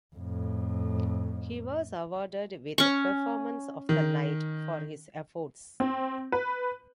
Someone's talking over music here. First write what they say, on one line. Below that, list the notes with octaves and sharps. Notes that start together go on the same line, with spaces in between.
He was awarded with "Performance of the Night" for his efforts.
F2 A2
C#4 C#6
D#3
C4
B4